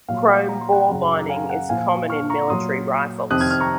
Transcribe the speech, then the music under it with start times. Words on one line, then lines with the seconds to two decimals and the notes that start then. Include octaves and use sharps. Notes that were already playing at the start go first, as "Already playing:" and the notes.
Chrome bore lining is common in military rifles.
0.08 A#2 F#3 F5
0.29 F#5
0.49 A#5
0.61 C6
0.73 F#5 A#5
0.89 F#2 C#3 F#3
1.19 A#5
1.29 F5 G#5
1.50 F#5
1.69 A#2 F3 F5 G#5
2.10 C#6 F6
2.30 A#5 C#6
2.50 A#2 F#3 C6 D#6
3.31 F2 C3 D#3 D#6 F#6
3.41 F6 G#6
3.51 F6 G#6
3.60 A#5 C#6